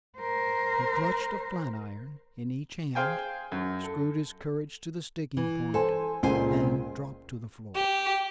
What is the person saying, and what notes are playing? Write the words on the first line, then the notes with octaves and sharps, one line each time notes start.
He clutched a flat-iron in each hand, screwed his courage to the sticking point, and dropped to the floor.
A#4 C5
G#4 C5 F5 G5 G#5
F#2
A4
E3
A4 C5 G#5
C#2 A#2 C5 G#5
G4